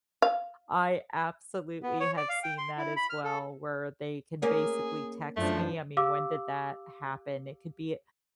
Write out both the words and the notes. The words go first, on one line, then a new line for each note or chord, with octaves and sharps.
I absolutely have seen that as well, where they can basically text me, I mean, when did that happen? It could be
F5
B3
C#5
D5
F5
G5
C6
E4
B5
F6
A4
A#3 C#4 G#4
F#2 F3 A3 D4
G4 F5 D6 E6